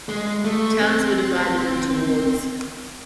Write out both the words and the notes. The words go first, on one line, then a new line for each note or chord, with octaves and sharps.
Towns were divided into wards.
G#3
A3
C4